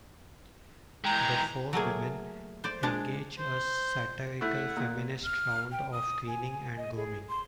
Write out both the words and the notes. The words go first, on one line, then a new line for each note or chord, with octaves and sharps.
The four women engage a satirical feminist round of cleaning and grooming.
E3 G#3 G5 A#5
F#3 A3 A#3 G#4
C5 D5
G#3 D4
C5
A3 E4 F#5
A#2
F6
G5
D#6
G#5
D#5
G#4
C6